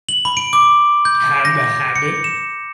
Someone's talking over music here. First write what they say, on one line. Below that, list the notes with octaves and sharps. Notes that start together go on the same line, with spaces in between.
have the habit
F#7
B5
D7
D6
G6
A#6
C#7
E7